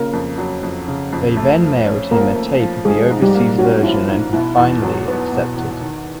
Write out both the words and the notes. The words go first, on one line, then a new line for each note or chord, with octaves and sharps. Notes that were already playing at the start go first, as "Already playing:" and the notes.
They then mailed him a tape of the overseas version and he finally accepted.
Already playing: C#3 A#3 A#4
F2
F#3
F2
C#3
F2
A3
F3
C#4
F3 A#3 A#4
A3
F3
F3 G#3 G#4
G#2
G3 G4
A#3
C#4 F#4
F3 E4
G#2 D4
B2 E4
E2
F#3
B3
B2
E2
D#3